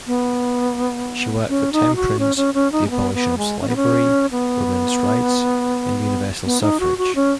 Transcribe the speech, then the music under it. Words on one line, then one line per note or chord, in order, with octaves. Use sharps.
She worked for temperance, the abolition of slavery, women's rights and universal suffrage.
B3
C#4
D#4
F#4
C#4
C#4
C#4
D#4
G#3
B3
B3
G#3
C#4
B3
C#4
B3
B3
D#4
F#4
F#4
C#4